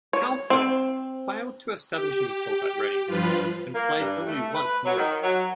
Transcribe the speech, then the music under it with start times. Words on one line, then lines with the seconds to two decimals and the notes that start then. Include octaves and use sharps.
Halford failed to establish himself at Reading, and played only once more.
0.13 C#5
0.50 C4
1.90 G4
3.06 G2 F3 F4 B4
3.74 A#3
3.99 G2
4.27 A3
4.55 B4
4.85 F#3
4.97 D#3
5.23 F#3